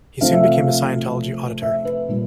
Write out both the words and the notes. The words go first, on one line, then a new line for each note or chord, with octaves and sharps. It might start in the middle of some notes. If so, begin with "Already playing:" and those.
He soon became a Scientology auditor.
C3 F3 A3 C4 F5
E5
F5
E5
B4
A#2 G3